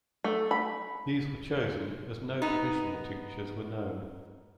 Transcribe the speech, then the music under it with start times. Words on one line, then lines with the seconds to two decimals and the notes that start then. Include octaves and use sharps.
These were chosen as no traditional tinctures were known.
0.24 A3
0.51 B5
2.42 B3 D#4